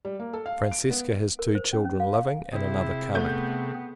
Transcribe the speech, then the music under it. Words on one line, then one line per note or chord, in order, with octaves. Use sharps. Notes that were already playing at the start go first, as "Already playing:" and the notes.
Francesca has two children living, and another coming.
G3
A#3
A4
F5
D7
B3
A#4
C5
C#4
C#4
F5
F5
C3 C4 E4 G#4
A3 B3 G6